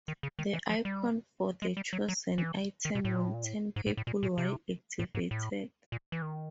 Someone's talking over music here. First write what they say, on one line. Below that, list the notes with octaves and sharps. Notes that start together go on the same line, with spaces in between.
The icon for the chosen item will turn purple while activated.
D#3
C#3
D#3
E3
F3
G3
G#3
G3
F#3
F#3
E3
D#3
B2
A2
A#2
A2
A#2
A2
G#2
A2
A2
A#2
A#2
C3
A2
G#2
A2
A#2
E3
D#3